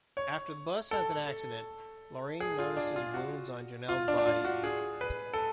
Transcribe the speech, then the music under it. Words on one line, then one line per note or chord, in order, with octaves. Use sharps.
After the bus has an accident, Lurene notices wounds on Jonell's body.
C#5
A4
G#4
F4
D4
F4
F#4
F4
D4
D4
F4
F#4
G#4
B4
A4